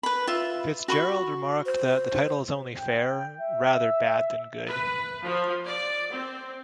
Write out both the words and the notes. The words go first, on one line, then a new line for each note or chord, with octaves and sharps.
Fitzgerald remarked that the title is only fair, rather bad than good.
B4 B5
F4 E5
F#4 B5 C#6
C5
G5
E5
B4
F3
D5
C4